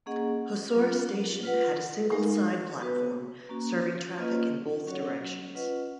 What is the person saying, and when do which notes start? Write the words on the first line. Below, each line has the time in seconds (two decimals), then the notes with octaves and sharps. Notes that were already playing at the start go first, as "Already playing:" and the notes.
Hosoura Station had a single side platform serving traffic in both directions.
0.06 A#3 C#4 G#4 D#5 F#5
0.74 F#3 C#4 F4
1.43 F4 B4 F#5
2.12 G#3 D#4 A#4 F5
2.81 B3 F#4 B4
3.49 A#3 C#4 F#4
4.18 A#3 C#4 F4 B4 D#5
4.86 F#3 C#4 F#4 C#5 F#5
5.55 C#4 F4 B4 D#5 F#5